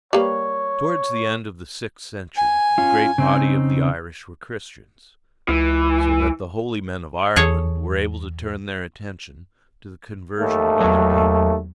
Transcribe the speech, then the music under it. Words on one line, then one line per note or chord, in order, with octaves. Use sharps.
Towards the end of the sixth century the great body of the Irish were Christians, so that the holy men of Ireland were able to turn their attention to the conversion of other people.
G3 A#3 B4 C#5
G#5
C#4 F4
C#3 C4 D#4
C#2 E3
E2 G#4 A4 C#5
D#2 A3
E2 F#3